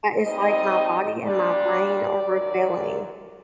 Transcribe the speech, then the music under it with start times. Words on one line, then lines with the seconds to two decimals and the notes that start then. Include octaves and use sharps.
but it's like my body and my brain are rebelling
0.22 A#2 G3 C4 D#4 D#5
1.25 A#2 G3 D4 D5
2.26 F#2 D#3 F#3